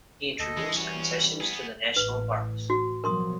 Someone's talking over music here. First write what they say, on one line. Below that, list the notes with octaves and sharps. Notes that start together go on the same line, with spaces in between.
He introduced concessions to the national parks.
D2 A4 D#5
E3 G#3
G3 C#4 F#4
B3 G#4
A1 B4
F#4
B2 F3 F#3 A#4 C6 D#6